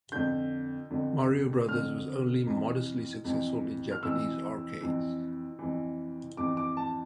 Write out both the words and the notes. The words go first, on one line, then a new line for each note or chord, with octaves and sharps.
"Mario Brothers" was only modestly successful in Japanese arcades.
F2 D3 G6
F2 D3
F2 D3 F6
F2 E3
F2 E3
F6
F2 E3 E6
F2 E3
F2 E3
F2 E3 D6
D6
A5